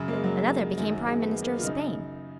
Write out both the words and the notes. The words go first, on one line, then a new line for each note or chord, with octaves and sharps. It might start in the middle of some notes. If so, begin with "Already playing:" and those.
Another became Prime Minister of Spain.
Already playing: F#2 C#3
A#3
G#3
F#3
F#2 D#3 G#3
F#3
G#3
B3
A#3
A#3
B3
F4
F#2 C#3 D#4